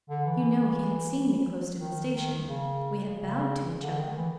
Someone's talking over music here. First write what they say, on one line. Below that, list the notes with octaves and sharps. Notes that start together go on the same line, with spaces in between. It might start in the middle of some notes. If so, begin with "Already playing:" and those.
You know he had seen me close to the station; we had bowed to each other.'
D3
E3
D#3
D#3
C#3
C#3
D3
D#3
E3